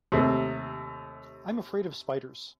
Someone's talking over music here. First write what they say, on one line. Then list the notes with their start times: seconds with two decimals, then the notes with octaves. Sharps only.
I'm afraid of spiders.
0.12 D#2 C3 A3